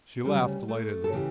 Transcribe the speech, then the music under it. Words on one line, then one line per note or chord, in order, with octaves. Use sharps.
She laughed delightedly.
D2 C#3 E3 G3
F#3
G3
A3
A4
C#3 E3 G4